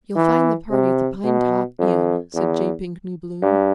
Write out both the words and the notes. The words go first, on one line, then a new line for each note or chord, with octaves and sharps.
"You'll find the party at the Pinetop Inn," said J. Pinkney Bloom.
E3
C3
B2
F2
E2
G2